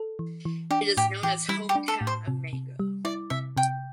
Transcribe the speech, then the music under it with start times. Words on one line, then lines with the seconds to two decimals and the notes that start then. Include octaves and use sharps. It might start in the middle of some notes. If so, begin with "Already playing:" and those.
It is known as "Hometown of Mango".
Already playing: A4
0.19 E3
0.45 E3
0.71 D4 G4
0.97 A2 G4
1.23 E3 G4
1.49 G3 E4
1.69 G4
1.75 D4
1.88 A4
2.01 A2
2.07 C5
2.28 C3
2.53 C3
2.79 G3
3.05 E4 D5
3.30 C3 E5
3.57 C3 G5